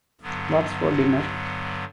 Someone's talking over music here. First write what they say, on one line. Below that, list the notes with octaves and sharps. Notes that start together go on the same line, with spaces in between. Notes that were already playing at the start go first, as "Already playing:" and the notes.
What's for Dinner?
G2 D3 F#3 B3